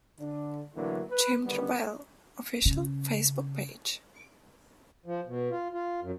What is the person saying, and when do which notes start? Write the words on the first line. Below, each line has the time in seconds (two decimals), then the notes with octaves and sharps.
Jim Tarbell, Official Facebook Page.
0.20 D3 D4
0.75 A2 D3 E3 F#3 A#3 D4
1.10 B4
1.45 D3 D#3 G3 B3
2.66 C#3
5.06 F3
5.27 B2
5.51 F4
5.73 F4
6.01 F#2